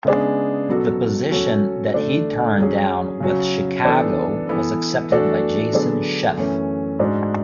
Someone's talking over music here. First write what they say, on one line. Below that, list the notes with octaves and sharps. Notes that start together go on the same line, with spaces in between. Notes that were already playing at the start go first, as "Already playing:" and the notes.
The position that he turned down with Chicago was accepted by Jason Scheff.
C#3 G#3 B3 D4 G#4
B2 F#3 B3 F#4 A4
F#3 C#4 F#4 A4
D3 A3 D4
F#3 C#4 G#4
C#3 F#3 C#4 F#4
E3 B3 D4 A4
E3 B3 E4 A4
E3 A3 D4 F#4 A4
D3 F#3 B3 D4 G#4
F#2 E3 A3 C#4
G#2 G#3 D4 F#4